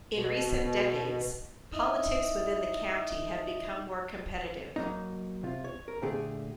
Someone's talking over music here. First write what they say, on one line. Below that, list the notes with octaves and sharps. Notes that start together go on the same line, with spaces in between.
In recent decades, politics within the county have become more competitive.
B2
D#4 E4 D#5 E5 D#6
F#3 A#3 D#4
C3 F4
C#5
A#4
A#2 D3 A3 G4 G#4